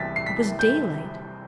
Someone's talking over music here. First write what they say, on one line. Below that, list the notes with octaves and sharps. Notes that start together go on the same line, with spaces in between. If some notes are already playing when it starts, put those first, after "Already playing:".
It was daylight.
Already playing: C2 C3 E3 G3 A6 B6
C7
B6
G6